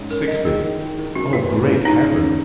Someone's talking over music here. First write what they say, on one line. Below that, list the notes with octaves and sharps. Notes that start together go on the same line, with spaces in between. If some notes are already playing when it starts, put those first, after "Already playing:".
Sixty--oh, great heaven!
Already playing: G#2 C#4
C#4 A#4
F#3 D#5
D#3 G#4
D#3
D#3
D#3
F#2 F#4
B3 E4
E3
F#2
C#4 D#4
C#3
C#3